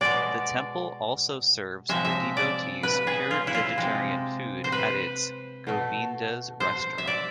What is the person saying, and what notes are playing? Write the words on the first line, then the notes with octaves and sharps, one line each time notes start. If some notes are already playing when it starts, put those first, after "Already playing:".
The temple also serves the devotees pure vegetarian food at its 'Govindas' restaurant.
B2 G#3 D5
C3 F3 G#3 E5
E5
D5
B4
G#4
F4
E4
F4
C3 G#3
C5
B4
B2 A3
C5
E5
D5